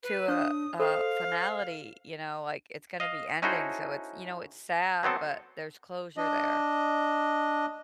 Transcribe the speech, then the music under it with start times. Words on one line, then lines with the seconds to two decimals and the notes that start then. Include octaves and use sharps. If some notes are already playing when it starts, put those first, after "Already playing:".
to a a finality, you know, like it's gonna be ending, so it's you know, it's sad, but there's closure there,
0.03 B4
0.28 D4 C#5 D#6
0.80 A4 C5 F5
3.00 D#5 F5
3.42 C#4 D#4 E4 F#4 A4 C5
5.03 F#3 B3 C4 A4
6.17 D4 D#5